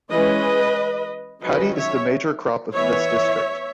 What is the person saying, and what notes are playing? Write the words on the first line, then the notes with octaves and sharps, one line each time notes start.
Paddy is the major crop of this district.
E3 G#3 C#4 B4 D#5
D#3 F#3 C#4 B4 D#5
C#5 E5
E3 B3 C#5 E5